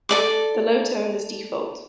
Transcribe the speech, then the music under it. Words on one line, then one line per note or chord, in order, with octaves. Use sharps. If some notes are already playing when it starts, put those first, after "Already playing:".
The low tone is default.
A4 D5 D6